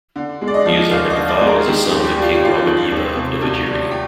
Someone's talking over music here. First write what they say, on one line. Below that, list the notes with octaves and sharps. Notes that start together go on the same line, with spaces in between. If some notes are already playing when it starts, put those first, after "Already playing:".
He is identified as a son of the king Ramadeva of Devagiri.
D3
G#3
D5
D#5
F3
D#2 F5
D#5
D3
D5
G#3
A#4
D#3 G4
G4
D#2
G4
G3
F4
G4
D#2 F4
D#3
D#2
C3
D2
G3
G4